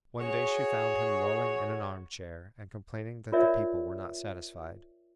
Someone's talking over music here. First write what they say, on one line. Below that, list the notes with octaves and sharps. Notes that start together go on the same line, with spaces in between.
One day she found him lolling in an arm-chair and complaining that the people were not satisfied.
F#4 G#4 C#5
F4 A#4 C#5 D5 E5